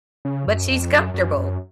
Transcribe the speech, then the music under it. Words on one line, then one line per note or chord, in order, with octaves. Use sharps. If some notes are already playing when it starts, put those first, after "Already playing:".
But, she's comfortable.
C#3
F#2
F2
F#2
F#2
F#2